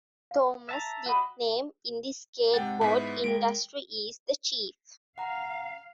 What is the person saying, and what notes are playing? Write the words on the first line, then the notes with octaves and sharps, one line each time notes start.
Thomas' nickname in the skateboard industry is The Chief.
F5
E5 A5 A#5
F#4 G4 D#5 F#5 B5
G#2 C3 F#5 G5 A6
G#2 B3 E4 B6
G#3 A#4 G5 D7
F5 F#5 A#5